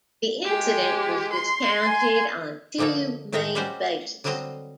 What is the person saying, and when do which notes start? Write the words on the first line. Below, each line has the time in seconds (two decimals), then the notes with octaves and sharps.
The incident was discounted on two main bases.
0.45 G#3 G4
1.33 C6
1.86 G#5
2.78 D3 F3 A#3 D#4 A4
3.32 A2 D#3 A3 D#4 G5 A#5
3.55 G3 C#4 F#4 G4 C5 D5
4.24 D3 F#3 G3 C4 C5 D#5